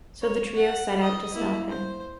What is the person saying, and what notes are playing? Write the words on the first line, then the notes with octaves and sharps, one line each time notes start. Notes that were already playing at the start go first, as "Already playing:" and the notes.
So the trio set out to stop him.
C#5
F#5
D#5
A#3 E4
C5